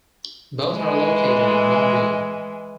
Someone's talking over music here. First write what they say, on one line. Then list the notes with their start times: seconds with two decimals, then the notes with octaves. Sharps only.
Both are located in Boonville.
0.73 E3 G#3